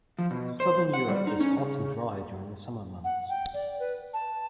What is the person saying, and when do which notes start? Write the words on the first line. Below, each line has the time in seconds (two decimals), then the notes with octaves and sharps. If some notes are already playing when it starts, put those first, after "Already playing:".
Southern Europe is hot and dry during the summer months.
0.19 F3
0.31 B2
0.60 C5
0.94 F#5
1.09 G3
1.27 D#4
1.40 C#4
1.58 C#3
3.04 F#5
3.29 G5
3.54 D5
3.79 B4
4.13 A5